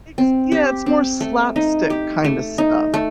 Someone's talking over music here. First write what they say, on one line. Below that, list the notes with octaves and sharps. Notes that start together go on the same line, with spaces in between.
It's yeah, it's more slapstick kind of stuff,
C4
G4
C4
A3
D#4
G4
A3
D#4
A3